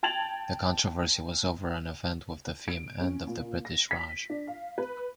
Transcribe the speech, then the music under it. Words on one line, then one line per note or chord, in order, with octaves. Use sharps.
The controversy was over an event with the theme "End of the British Raj".
G5 A5 G#6 A6 F7 F#7
D7
C#4
A#2
A#6
B6
D4
F5
B4